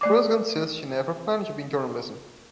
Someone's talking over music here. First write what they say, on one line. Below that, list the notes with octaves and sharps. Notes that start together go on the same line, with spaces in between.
Roesgen says she never planned to be in journalism.
A3 D5 D6